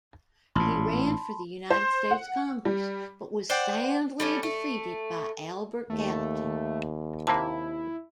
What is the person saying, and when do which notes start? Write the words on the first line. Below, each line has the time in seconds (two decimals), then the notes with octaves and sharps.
He ran for the United States Congress, but was soundly defeated by Albert Gallatin.
0.56 A1 A#2 A5 B5 C6
1.71 C5
2.11 F#5
2.65 G3
3.50 C5 D5 F#5 G5
4.20 G3 A3 C#4
4.43 A3
5.90 D#2 A3
7.27 C3 A#3 E4 A5